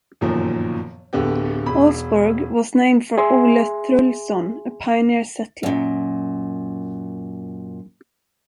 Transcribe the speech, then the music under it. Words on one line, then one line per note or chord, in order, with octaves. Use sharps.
Olsburg was named for Ole Thrulson, a pioneer settler.
G1 F#2 A#2 D#3 F3
D1 D3 B3 G4
E1 B5
G#4 E5 G#5 C6
F#2 A#2